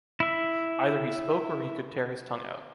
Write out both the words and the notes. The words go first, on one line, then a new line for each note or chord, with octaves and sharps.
Either he spoke or he could tear his tongue out.
E4 E5